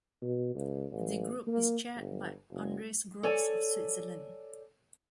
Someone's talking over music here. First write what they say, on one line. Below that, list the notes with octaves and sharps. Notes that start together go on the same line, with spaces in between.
The Group is chaired by Andreas Gross of Switzerland.
B2
C#2
A1
A#3
G1
F#1
A4 C#5 D5 G#5